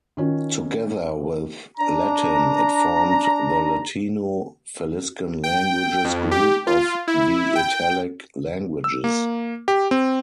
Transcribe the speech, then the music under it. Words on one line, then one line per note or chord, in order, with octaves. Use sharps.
Together with Latin, it formed the Latino-Faliscan languages group of the Italic languages.
D#3 C#4 F4
D4 A#5
G5
F2
G4
F4
E4
G5
E6
A#3
G4
C4